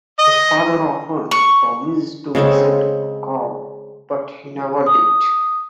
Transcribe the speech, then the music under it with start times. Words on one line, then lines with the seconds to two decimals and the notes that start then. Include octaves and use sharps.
His father often promised to visit or call, but he never did.
0.19 D#5
1.31 C#6
2.35 C#3 G#3 C4 A4
4.86 D#6